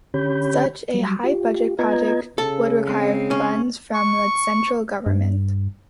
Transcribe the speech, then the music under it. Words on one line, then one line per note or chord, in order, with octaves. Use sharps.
Such a high-budget project would require funds from the Central Government.
D3 C#4 G4 C#5 B5 G6
F#3 G3
F4 G4
B3 F4 B4 D#5 A#5 G#6
C#3 A4
G#3 C4
C#4
C#6
G2